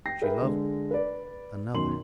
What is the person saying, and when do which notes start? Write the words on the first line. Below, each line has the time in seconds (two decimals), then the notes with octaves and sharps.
She loved another.
0.06 G5 A#6 C7
0.22 G#4 A#4 B4 E5 G5
0.42 D3 G#3
0.91 B4 D5
1.74 F#2 B2 D#3 C6 F#7